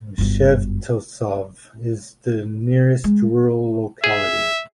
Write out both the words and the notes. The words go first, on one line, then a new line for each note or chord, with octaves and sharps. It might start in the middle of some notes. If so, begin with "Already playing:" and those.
Shevtsov is the nearest rural locality.
G1 F#2
G#3
G#4 E5